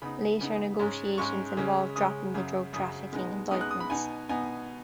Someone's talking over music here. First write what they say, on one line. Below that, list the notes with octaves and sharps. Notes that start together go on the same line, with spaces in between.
Later negotiations involved dropping the drug-trafficking indictments.
C#3 B3 D#4 B5
C#3 B3 D#4
G#2 G#3 C#4
G#2 G#3 C#4 C#6
C#3 G#3 C#4
C#3 G#3 C#4 D#6
F#2 C#3 F#3
F#2 C#3 F#3 D#6
B2 G#3 B3 D#4
B2 G#3 B3 D#4 D#6
F#6
D#6
B5
B2 B3 D#4 G#5
B2 B3 D#4 G#5